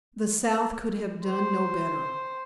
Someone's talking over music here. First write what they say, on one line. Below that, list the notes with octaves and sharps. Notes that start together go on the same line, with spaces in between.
The South could have done no better.
C5